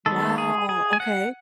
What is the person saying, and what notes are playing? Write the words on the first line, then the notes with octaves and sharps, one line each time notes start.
Wow, okay.
D#3 G#3 B3 A4
G#4
G#4
G#5
F#5